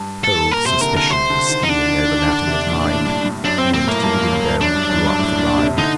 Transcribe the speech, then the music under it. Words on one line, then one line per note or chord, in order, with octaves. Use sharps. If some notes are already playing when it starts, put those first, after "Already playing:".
A cold suspicion was stealing over Latimer’s mind; he went to the window and drew up the blind.
Already playing: G2
A4
A#2 A#4
C3 C5
D3 A#4
D3 A#4
C3 C5
D3
D#3
D#4
D3 D4
D#3
D#3
D3
C3
A#2
A2
G2
G2
F#2 D4
C4
A#2 C4
A2 A#3
G2
F#2
F#2 D4
G2
F#2
G2
A2
A#2
C3
D3 D#4